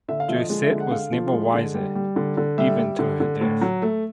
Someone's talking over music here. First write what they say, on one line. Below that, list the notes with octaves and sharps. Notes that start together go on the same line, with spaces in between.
Josette was never wiser, even to her death.
D3 E5
F5
F3 E5
D#5
G#3
E5
D3
F#5
D3 F5
F3
G#3
D3
G3
G3
D3
D3
G3 E5
G3
D3
D3
A2
F#3
A3